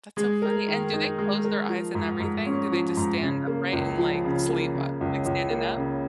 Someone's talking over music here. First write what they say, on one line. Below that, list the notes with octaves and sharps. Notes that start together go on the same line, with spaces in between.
That's so funny, and do they close their eyes and everything, do they just stand upright and, like, sleep, uh, like, standing up?
G#3
A#4
D#3
D#4
G#3
A#4
F3
G#2
G#2
C#4
F3
G#2
C#3
A#3
C#2
F3
C#3
A#3
C#3
C#2
C#2
A#3
C#3